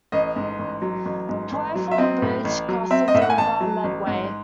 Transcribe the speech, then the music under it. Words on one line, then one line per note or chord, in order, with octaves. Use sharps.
Twyford Bridge crosses the River Medway.
A1 D#5
G#2
A1
F#3
A1
G#2
A1
F#3
E5
C4 D#5
A2
A1
F#3
C4 E5
D#5
A2 E5
F#5
G#5
A1 A5
F#3
A1
G#2